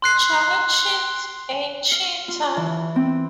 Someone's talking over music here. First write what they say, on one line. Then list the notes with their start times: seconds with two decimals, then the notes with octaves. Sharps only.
Charlie cheats a cheetah.
0.02 C6 F#6 C7
1.91 F5
2.28 F4
2.57 E3
2.96 C4